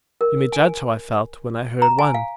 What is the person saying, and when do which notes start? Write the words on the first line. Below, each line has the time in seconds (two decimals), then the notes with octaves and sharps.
You may judge how I felt, when I heard one!
0.21 A#4
0.53 G#5
1.82 A#5
1.99 G#5
2.14 F5